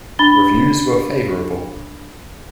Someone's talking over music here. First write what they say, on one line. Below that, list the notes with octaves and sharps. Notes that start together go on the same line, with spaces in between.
Reviews were favourable.
D4 B5 A6 G7